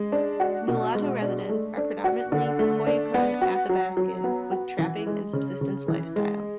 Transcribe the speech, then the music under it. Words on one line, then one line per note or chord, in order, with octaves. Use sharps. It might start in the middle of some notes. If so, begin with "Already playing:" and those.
Nulato residents are predominantly Koyukon Athabascan with trapping and subsistence lifestyle.
Already playing: G#3
D4
F#4
B2
G#3
D4
A3
D4
F#4
D3
A3
D4
B3
F#4
F#3
F#3
B3
F#4
E3
G#3
C#3
C#3
E3
G#3